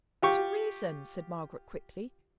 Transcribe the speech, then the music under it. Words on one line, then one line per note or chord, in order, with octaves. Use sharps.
'To reason!' said Margaret, quickly.
F4 G4 C#6